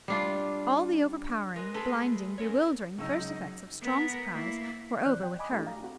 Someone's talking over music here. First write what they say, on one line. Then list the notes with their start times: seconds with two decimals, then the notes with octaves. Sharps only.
All the overpowering, blinding, bewildering, first effects of strong surprise were over with her.
0.08 G3 D4 F4
1.56 G#3 A#4 B4
1.74 G#3 A3 G#4 A4 B4
2.38 C#4 A#4 C#5
2.98 C#2 F#3 G#3 D#4 E6
3.83 B3 A#4
4.32 A#3 E4
5.05 E3 C4 C5 D5 F#6 G6
5.21 F3 G5
5.39 D#5 G#5 B5 D6 D#6
5.52 A3 D4 E4 F#4 G4 A4
5.66 F5 A#5
5.83 C4 F#4